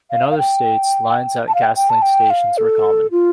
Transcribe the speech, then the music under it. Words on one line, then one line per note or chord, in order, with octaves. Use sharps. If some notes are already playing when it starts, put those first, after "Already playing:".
In other states, lines at gasoline stations were common.
F5
F5
G5
A5
F5
G5
G5
A5
G5
F5
A4
F4